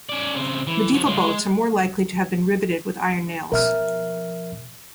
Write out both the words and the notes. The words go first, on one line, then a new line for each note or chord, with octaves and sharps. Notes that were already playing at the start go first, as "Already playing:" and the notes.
Medieval boats are more likely to have been riveted with iron nails.
C#4 D5
C#3 C4
E3
F3 F#3
G#3 F4
G#3
B2 F3 A#4 E5 F6